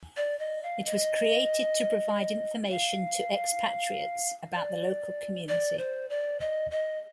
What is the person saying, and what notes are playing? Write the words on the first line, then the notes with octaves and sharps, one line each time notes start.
It was created to provide information to expatriates about the local community.
D5
D#5
F5
D#5
F5
D5
D5
C5
D5
D#5
D#5